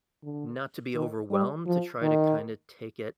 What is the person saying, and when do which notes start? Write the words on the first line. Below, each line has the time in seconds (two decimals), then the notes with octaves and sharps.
not to be overwhelmed, to try to kinda take it,
0.23 D3
0.95 D#3
1.31 G3
1.67 F3
2.02 D#3